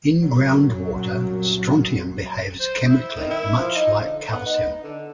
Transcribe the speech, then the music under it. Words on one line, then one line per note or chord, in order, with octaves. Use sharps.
In groundwater strontium behaves chemically much like calcium.
C2 F#2 A#2 F#3
C5
E4
D#3
E4
F3
D#4
D3
B3
D#4
D#4
D3